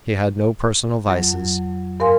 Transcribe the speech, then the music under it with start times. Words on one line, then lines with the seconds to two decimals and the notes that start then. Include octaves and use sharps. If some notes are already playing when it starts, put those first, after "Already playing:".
He had no personal vices.
1.08 F2 F#3
2.00 G2 A#4 F5 G#5 C6